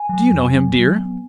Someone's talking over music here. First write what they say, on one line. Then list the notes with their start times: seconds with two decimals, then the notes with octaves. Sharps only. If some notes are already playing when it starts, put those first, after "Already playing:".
"Do you know him, dear?"
Already playing: G#5
0.09 F#3
0.31 F2
0.54 F#3
0.75 F#3
0.98 B3